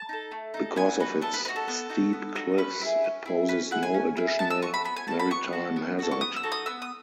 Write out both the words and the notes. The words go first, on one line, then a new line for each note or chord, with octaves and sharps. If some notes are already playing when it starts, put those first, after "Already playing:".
Because of its steep cliffs, it poses no additional maritime hazard.
Already playing: A5
D#4 A4
A3
D#4 A4
B3 G#5
D#4 F#4 B4
B3 A4
B4
D#4 F#4 B4
A4
B3
D#4 F#4
B3
D#4 F#4
C#4 B4
E4 G#4
C#4
E4 G#4
C#4 B4
E4 G#4 F#5
G#5
C#4
E4 G#4
B3 A5
E6
F#4 A4 C#6
B5
B3 B5
G#5
F#4 A4 A5
B5
B3 C#6
F#4 A4
B3
F#4 A4
C#6
B3 D#6
E6
D#4 F#4 A4
D#6
B3 E6
D#6